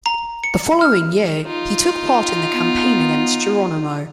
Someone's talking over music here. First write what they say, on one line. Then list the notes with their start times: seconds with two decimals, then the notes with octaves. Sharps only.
The following year, he took part in the campaign against Geronimo.
0.06 A#5
0.44 C#7
0.81 F6
1.43 D#4 F4
2.52 B3